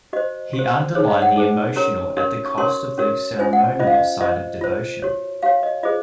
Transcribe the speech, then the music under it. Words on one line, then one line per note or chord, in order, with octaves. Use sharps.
He underlined the emotional at the cost of the ceremonial side of devotion.
F#4 C5 D#5
F#4
C5
D#4 G#4 C5 C#5
D#5
F#5
D#4 G#4 C5
C#4 F#4 A#4 C#5 A#5
C#4 F#4 A#4 C#5
C#6
C#4 F#4 A#4 C#5 C6
C#4 F#4 A#4 C#5
C#4 F4 C5 G#5
F#5
C#4 F4 C5 D#5
F5
D#5
F4 C5 D#5
F4 C5
F#4 C#5
F#4 C#5 F5
D#5
F4 G#4 C5 D#5